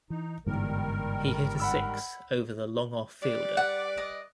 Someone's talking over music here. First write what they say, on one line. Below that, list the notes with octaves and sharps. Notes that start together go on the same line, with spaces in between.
He hit a six over the long off fielder.
E3 D#4
G1 G#2 D#3 E3 G3 A#4
F#5 B5 E6
G3 B4 D5
F#5
D#5